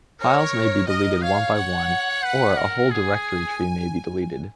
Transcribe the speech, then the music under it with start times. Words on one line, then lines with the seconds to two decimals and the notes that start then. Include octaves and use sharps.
Files may be deleted one-by-one, or a whole directory tree may be deleted.
0.21 A#4 C#5
0.88 A#4 D#5
1.22 C#5 F5
1.56 F#5
2.24 B4
2.57 A#4
2.91 G#4 G#5